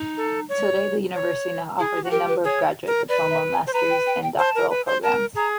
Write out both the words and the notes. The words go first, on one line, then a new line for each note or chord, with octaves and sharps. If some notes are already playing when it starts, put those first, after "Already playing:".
Today the University now offers a number of graduate diploma, master's, and doctoral programs.
Already playing: D#4
A4
C#5
C#5
E4 G#4
G4
F#4
G4 A#4
B4
G#4 C#5
A#4
B4 D5
E5
G#5
C5
B4 A#5
G5
G5
G5
C5 A5
A#4
B4
C5
A#4 A5
G#4 A#5